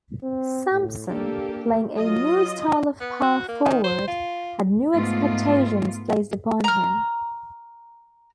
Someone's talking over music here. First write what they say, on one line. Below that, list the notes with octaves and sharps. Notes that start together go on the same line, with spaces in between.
Sampson, playing a new style of power forward, had new expectations placed upon him.
C4
A2
A#3 D4 G4 A4
F#3 F4 D#5
B3
F#4
A#3
D#3
C5
F4
G#2 A3 B3 F4
A#5 F6